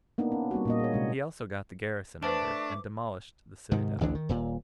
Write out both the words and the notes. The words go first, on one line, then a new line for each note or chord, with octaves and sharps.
He also got the garrison under, and demolished the citadel.
A#3 B3 D4 D#4
C#4
G3 A#3 C4 F#4
A#2 A#3 D#5
G#4 C#5
C3 G#3 D4
A3 D4 B4 C5 A5 D6
G#2 C3 D#3
A1 D2 E3 D4
D#3
D#1 A#2